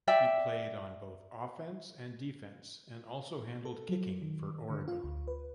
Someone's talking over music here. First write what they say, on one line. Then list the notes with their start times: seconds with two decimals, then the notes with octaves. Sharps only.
He played on both offense and defense and also handled kicking for Oregon.
0.07 D5 E5 G5
3.65 A4
3.89 F#3
4.22 D#3
4.70 D3
4.88 F4
5.04 D2
5.28 B4